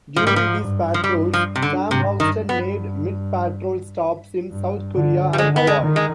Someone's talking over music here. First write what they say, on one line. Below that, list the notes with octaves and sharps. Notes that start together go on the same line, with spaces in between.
During these patrols Sam Houston made mid-patrol stops in South Korea and Hawaii.
G#2 F3
G3
F3
G2
F3
G2 G3
F3
C3
D3
G#2 C3
G2 D#3
G2 B3
G2
D3
G3
D3 G#3
B3
G#3
D#3
G#3